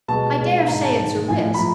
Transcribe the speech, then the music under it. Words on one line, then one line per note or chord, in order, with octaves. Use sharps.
I dare say it's a risk.
B2 G#3 A5
B2 G#3
G#2 D#3 G#3 A#5
A5
G#2 D#3 G#3
A2 F3 A3 G#5
B5
A2 F3 A#5